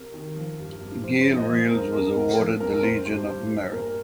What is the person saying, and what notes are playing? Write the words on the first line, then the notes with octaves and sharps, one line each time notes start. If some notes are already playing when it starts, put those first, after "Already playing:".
Gail Reals was awarded the Legion of Merit.
Already playing: C3 A#4
D#3
F3
G2
G2
F3 C5
C5
F3
D#5
F3
C5
F2 A#4
F2 A#4
F2 A#4
F3
F2 A#4
A#4
F2 C5
G2 C5
G2
G2
A#2 A#4